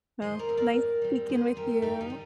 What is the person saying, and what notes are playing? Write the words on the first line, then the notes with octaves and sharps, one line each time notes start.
Well, nice speaking with you
G#2 C5 D#5
A#4 D5
G3 C4
A#4 D5
G#2
G3 C4
G#2 G#4 C5
G3 C4 G4 A#4
G#2 D#4 G4
D#4
G3